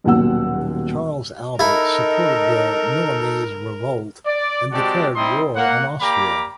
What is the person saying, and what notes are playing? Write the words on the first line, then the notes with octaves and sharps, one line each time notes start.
Charles Albert supported the Milanese revolt and declared war on Austria.
D#1 D#2 B2 F#3 F#5 E6
D#4 E4 A4 A#4 D#5
D5
G#3 C4 F#4 G4 D5 A5
G3 C4 D#4 E4 C6 D#6
A#3 F#5
A#3 G4 D5 A#5 B5 D6